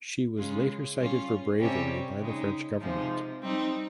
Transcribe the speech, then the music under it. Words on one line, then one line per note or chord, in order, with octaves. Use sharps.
She was later cited for bravery by the French government.
C#3 G#3 C#4 F4
G3 C#4 F4
C3 G3 C#4
C#3 G#3 D#4
C3 F3 G#3 D#4
G3 C4 D#4